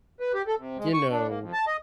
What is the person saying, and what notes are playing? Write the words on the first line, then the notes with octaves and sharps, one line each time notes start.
you know
B4
G4
A4
C3
G#3
C#6
D4
A#3
F2
A5
D#5